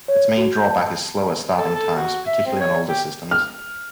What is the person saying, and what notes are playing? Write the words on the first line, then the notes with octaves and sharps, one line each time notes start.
Its main drawback is slower starting times, particularly on older systems.
C#5
F#4
G6
A5
A4
A4
F#4
E5
C4
C#5
G4
F6